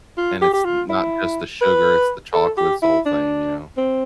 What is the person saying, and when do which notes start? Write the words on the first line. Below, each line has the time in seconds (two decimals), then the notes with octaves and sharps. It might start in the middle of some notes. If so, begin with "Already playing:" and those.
and it's not, just, the sugar, it's the chocolate, it's the whole thing, you know?
0.17 F4
0.42 G4
0.53 G4
0.65 F4
0.89 E4
1.62 B4
2.33 A4
2.58 G4
2.82 E4
3.06 D4
3.77 C4